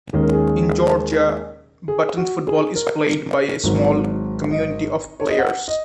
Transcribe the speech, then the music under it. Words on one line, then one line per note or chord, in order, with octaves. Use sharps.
In Georgia button football is played by a small community of players.
D#2 D#3 G#3 C#4 G#4
A#4
G#4
G#4
F#4
G#4
A#4
G#1 G#2 F#3
D#5
C#5
D#5
F#5
D#5